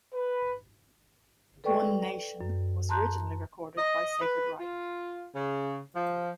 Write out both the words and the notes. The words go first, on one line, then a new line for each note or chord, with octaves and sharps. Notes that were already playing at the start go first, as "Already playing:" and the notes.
"One Nation" was originally recorded by Sacred Reich.
B4
A4 B4 D5 G5 C#6
F#2
A5 A#5 C6 F#6 G6
D#5
B4
F4
C#3
F3